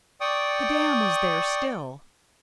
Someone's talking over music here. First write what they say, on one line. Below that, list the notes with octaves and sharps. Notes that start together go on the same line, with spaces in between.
The dam was there still.
D5 G5 C#6 D#6